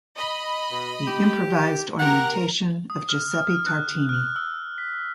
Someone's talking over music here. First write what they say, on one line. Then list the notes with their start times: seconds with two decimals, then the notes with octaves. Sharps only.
The Improvised Ornamentation of Giuseppe Tartini.
0.16 D#5 B5
0.70 B2
1.07 G4
1.99 G4 A#4 F#5 A#5
2.90 D#6
3.09 F6
3.34 F6
3.50 F6
3.66 F#6
4.09 F6
4.36 E6
4.78 B6